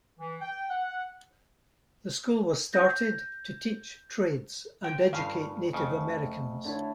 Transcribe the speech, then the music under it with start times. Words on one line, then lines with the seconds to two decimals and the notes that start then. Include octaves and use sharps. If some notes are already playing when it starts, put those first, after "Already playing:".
The school was started to teach trades and educate Native Americans.
0.18 E3
0.41 G5
0.71 F#5
2.74 G6 A#6
4.84 G5
5.13 G1 G2 C#3 F5
5.73 F2 C#3 A3
6.65 D3 E4 C#5